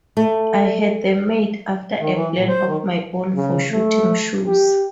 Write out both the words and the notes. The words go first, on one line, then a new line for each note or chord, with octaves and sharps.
I had them made after a plan of my own, for shooting-shoes.
A3
D#3
E3
A#2
C5
D#3
C#3
A3
G4